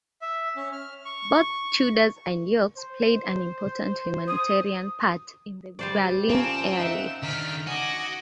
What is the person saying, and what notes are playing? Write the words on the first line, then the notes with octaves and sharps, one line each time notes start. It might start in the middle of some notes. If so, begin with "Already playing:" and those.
Both Tudors and Yorks played an important humanitarian part in the Berlin Airlift.
E5
C#4
F6
C#6
C5
D#6
G3 C5 D5
F3 A#3 C4 C#4 E7
D#4 E5 F#5
D#3 D4 D#4 F6 B6
F#4 D#5 G#5 D6